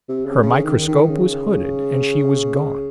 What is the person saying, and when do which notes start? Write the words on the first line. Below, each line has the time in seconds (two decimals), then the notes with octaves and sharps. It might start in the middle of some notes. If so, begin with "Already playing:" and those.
Her microscope was hooded and she was gone.
0.08 C3
0.25 C#3
0.42 C#3
0.64 D#3
0.88 D#3
1.10 C#3